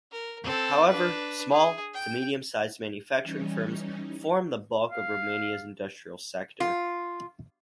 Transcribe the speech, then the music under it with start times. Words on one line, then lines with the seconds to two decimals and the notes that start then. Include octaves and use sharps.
However, small- to medium-sized manufacturing firms form the bulk of Romania's industrial sector.
0.12 A#4
0.44 C4 A4
0.88 D4 B4
1.51 G#4
1.94 G5
3.23 E3 G3 C#4 D#4
4.91 F5
6.60 F4